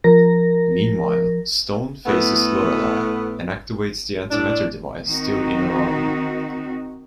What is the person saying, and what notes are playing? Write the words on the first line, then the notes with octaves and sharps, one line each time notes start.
Meanwhile, Stone faces Lorelei, and activates the anti-matter device still in her armour.
F3 A#4 A#6
A2 A3 B3
A2 D4
D#3 C4 D#4 F#4